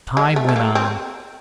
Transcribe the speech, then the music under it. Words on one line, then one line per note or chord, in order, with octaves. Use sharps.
Time went on.
G#3
A3
A3
A#3
C4